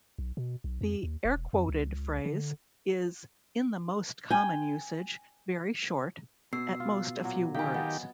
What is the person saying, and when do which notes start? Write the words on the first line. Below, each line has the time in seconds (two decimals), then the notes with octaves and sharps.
The air-quoted phrase is-in the most common usage-very short, at most a few words.
0.18 B1
0.37 B2
0.64 B1
0.81 F2
1.03 D#2
1.25 E1
1.53 F2
1.68 C#2
2.25 D3
4.30 G5 G#5
6.53 B2 E6 C7
6.80 F4
7.24 A#2 F#3
7.55 D#3 G4 F5 G#5
7.74 B3 D#5